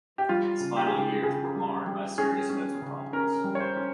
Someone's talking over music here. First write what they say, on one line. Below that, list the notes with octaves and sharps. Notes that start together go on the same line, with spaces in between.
His final years were marred by serious mental problems.
G4
G3 F4
C#3
G4
G#4
C#3 G4
C#3 G#4
G3
G3
C#4 G#4
C#4
C#3
C#4 A#4
G3
C#5
C5
C#4